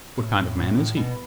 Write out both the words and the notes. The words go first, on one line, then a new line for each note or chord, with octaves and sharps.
"What kind of man is he?"
A2
A2
A2
A2
B2